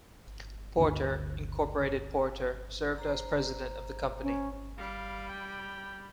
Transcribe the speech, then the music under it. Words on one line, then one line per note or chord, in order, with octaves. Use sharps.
Porter, Incorporated Porter served as president of the company.
G1 D2
C5 A#5
C#4
G3 F5 B5
G5